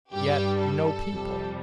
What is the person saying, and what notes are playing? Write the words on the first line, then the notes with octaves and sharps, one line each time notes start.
Yet no people.
G2 G3 G4
A4
F2 C3 G3